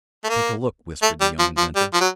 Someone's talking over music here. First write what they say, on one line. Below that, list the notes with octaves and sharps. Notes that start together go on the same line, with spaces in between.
"Take a look," whispered the young inventor.
A3
A#3
A3
G3
F3
F3
G3
F3
F#3